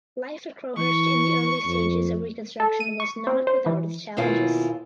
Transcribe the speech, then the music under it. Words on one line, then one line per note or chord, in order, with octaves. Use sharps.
Life at Crowhurst in the early stages of reconstruction was not without its challenges.
E3 C#6
F2
A4
D#7
C#6
C4
C5
E3
D#2 B2 A#3 E4 F4 G#4